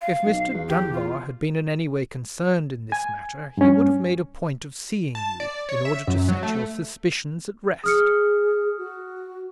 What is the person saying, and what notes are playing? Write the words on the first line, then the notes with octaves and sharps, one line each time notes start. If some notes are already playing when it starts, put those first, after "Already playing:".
If Mr. Dunbar had been in any way concerned in this matter, he would have made a point of seeing you, in order to set your suspicions at rest.
F5
B1
E2
G4
F4
G#5
G2 C#4
A5
D5
C#5
E5
F#2
F#3
A3
G#4 D#6 F6 C#7
F#4